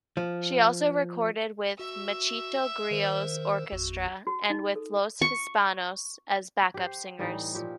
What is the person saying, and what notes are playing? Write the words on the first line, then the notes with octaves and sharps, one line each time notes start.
She also recorded with Machito Grillo's orchestra and with Los Hispanos as backup singers.
F3
F#4 E5 E6
D#3 A#4 C5
G1 E2 F#4
F#4
D#4
A4
C#6
G4 C5
A2 E3 G3 D#4
A#2 F3 G4